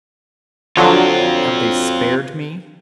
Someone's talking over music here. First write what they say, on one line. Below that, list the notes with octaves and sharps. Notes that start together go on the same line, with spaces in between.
Have they spared me?
D3 F3 F#3 C4 F4